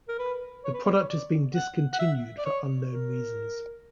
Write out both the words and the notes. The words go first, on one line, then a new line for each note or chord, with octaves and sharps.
The product has been discontinued for unknown reasons.
A#4
B4
C#5
B4
C#5
C#5
D5
F#5
F#5
E5
D5
C#5
A#4